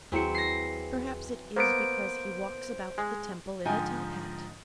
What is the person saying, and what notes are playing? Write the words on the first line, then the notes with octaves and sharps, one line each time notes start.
Perhaps it is because he walks about the Temple in a top-hat.
D#2 E3 F#3 C4 G#4 C#7
A#6 C7
A#3 B3 C5 D7
G#3
G#2 D3 F3 D#4 G5 G#5